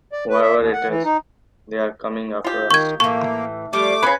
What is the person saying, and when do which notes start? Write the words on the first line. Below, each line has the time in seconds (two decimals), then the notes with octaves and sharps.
Whoever it is, they are coming after us.
0.12 D5
0.29 B4
0.41 E5
0.57 D#2
0.73 F#5
0.88 E3
1.04 D#4
2.44 F4 G4
2.71 D#3 C#6 G#6
3.00 A2 E3 A#3 C#6
3.73 F3 G3 A3 D6
4.03 C#3 C#4 B4